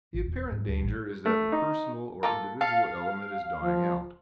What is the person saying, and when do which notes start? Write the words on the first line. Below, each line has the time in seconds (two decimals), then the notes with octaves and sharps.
The apparent danger is that the personal or individual element is dying out.
0.14 G#1
0.28 E1
0.52 G#2
0.67 D1
0.83 A1
1.26 A3
1.52 D#4
2.23 A#3 F4 A4
2.61 A4 F5
3.63 F3